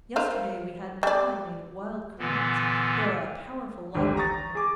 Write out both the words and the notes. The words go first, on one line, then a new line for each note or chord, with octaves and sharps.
Yesterday we had pie made of wild currants; there are a powerful lot of them here.
A#4 C5 F5
G3 D5
A#2 D3 E3 B3
G#1 D2 G4
A#5 C#6 D#6 A6 A#6
G#4 D6